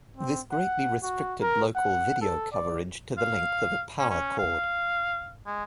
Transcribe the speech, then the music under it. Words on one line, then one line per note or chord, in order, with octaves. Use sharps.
This greatly restricted local video coverage to the length of a power cord.
C4
F#5
F#4
A#4
F#5
A4
D5
F5
C#4
C#4
F5
G#3